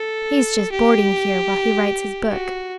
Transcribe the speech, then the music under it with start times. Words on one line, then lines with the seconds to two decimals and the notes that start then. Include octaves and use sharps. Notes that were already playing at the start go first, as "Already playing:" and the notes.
He's just boarding here, while he writes his book.
Already playing: A4
0.72 G4
2.30 F#4